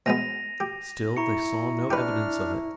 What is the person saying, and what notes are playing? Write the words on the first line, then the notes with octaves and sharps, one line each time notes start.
Still they saw no evidence of it.
B2 G#3 B3 A#6 D#7 F7
G4
E4 A#5 C#6 C#7
D4 G4 B4 F6